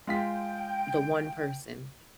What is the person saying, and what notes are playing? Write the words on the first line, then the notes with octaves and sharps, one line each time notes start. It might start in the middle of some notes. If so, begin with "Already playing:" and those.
the one person.
G#3 F4 G5 B6